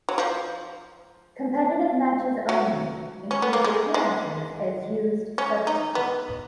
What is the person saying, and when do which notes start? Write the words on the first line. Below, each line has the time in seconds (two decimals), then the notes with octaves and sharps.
Competitive matches only, includes appearances as used substitute.
0.09 F#3
0.18 F3
2.49 F#3
3.31 C#4
3.42 B3
3.53 A#3
3.64 G#3
3.94 G#3
5.38 C#4
5.67 D#4
5.95 B3